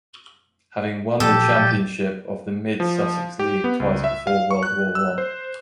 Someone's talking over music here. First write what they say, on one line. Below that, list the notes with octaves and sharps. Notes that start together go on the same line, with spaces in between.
Having won the championship of the Mid Sussex League twice before World War One.
A#2 F3 F#3 G4 A4 G6 A6
F3
G4
B3
C#2
E5
F5
C#6
F#6
E6
C5